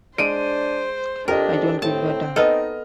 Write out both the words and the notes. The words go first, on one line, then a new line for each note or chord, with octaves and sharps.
I don't give a damn.
G#3 D4 C5 D7 D#7
F2 D4 G4 A#4 D#5
A2 C4 A5
B3 D#4 A4 D#5 F6